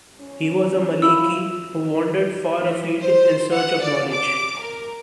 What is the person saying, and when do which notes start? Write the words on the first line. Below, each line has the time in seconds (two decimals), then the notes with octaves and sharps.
He was a Maliki who wandered far afield in search of knowledge.
0.21 C#4
1.02 E4 F4 E6
2.61 E3
3.00 C5
3.51 F#5
3.81 D5
4.12 D6
4.58 A#4